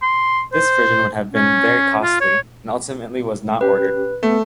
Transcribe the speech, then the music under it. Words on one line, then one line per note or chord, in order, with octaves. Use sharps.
This version would have been very costly, and ultimately was not ordered.
C6
C5
C#4
F4
C#5
C#4 G4 B4
A3 B3